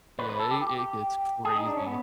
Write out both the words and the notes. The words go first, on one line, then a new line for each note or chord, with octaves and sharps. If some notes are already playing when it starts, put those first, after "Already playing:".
Yeah, it it gets crazy.
B4
B4
A4
G4
G4
G#4
D#4
D4
C#4
B3